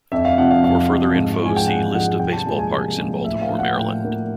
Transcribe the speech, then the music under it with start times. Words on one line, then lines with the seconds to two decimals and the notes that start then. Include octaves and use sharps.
For further info see List of baseball parks in Baltimore, Maryland.
0.12 F2 E5
0.25 F5
0.38 C3 F3 F#5
0.51 F5
0.64 F2 F5
0.90 C3 F3
1.16 G#2
1.41 F3 G#3 G#5
1.56 G5
1.67 G#2 F#5
1.93 F3 G#3 F#5
2.20 C2 G5
2.32 A5
2.46 A#2 F3 G#3 G#5
2.59 G#5
2.73 C2
2.98 A#2 F3 G#3
3.24 A2 E5
3.42 F5
3.50 F3 A#3
3.59 F#5
3.76 A2 G5
4.02 F3 A#3